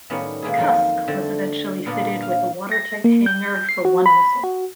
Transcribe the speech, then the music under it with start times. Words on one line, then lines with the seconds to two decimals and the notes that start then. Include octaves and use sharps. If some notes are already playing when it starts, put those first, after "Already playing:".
"Cusk" was eventually fitted with a watertight hangar for one missile.
0.10 A2 D#3 F#3 G3 B3 C#4
0.42 B2 D#3 G#3 A#3 E4 G#4
0.57 F2 D#3 F#3 F4 G5
1.08 D3 A3 C4
1.86 A#2 B3 D4 A#4
2.22 F5
2.72 A#6
3.04 A#3
3.26 G6
3.69 C7
3.85 F#4
4.06 B5
4.44 F#4